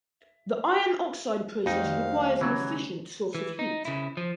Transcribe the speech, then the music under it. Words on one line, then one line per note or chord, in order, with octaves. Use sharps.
The iron oxide process requires an efficient source of heat.
F2 G3 A3 D#4 F#4 F5
D#3
C#3 E3 F#3 C#4
E3
D#4
C#3 E4
F3